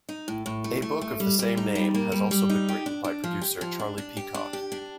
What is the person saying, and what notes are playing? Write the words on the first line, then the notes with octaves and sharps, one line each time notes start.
A book of the same name has also been written by producer Charlie Peacock.
D#4
A2
A2
A3
A3
A3
G3
G3
D#4
G3
A#3
G3
G3
D#4
G4
D4
D4
F3
G4
F3
D4
D4
G4
D4
G4
D4